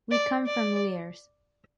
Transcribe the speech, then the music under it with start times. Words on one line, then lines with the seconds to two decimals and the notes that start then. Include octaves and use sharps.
We come from Llers.
0.11 D5
0.47 D5